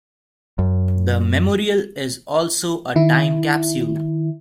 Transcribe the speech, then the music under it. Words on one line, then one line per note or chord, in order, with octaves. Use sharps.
The memorial is also a time capsule.
F#2
D#3 E4